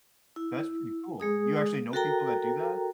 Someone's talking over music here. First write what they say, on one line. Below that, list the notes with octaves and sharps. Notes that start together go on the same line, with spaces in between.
That's pretty cool. You actually know people that do that?
E4
G#3 G#4 D#6
F#4 A4 A#4 G5 A#5